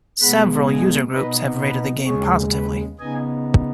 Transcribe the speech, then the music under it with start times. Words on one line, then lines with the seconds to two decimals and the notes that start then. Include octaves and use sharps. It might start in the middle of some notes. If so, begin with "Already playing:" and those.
Several user groups have rated the game positively.
0.21 B2 G#3 B3 F#5 B5
0.67 D#5 G#5
1.13 B2 B3 D#4 B4 D#5
1.60 B4
2.06 D#2 C#3 G#3 G#4 C#5
2.52 B4
2.99 C#3 B3 D#4 D#5 G#5